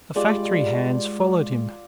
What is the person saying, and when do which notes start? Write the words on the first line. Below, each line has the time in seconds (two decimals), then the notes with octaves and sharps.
The factory hands followed him.
0.16 G3 G#3 F4 D5 F#5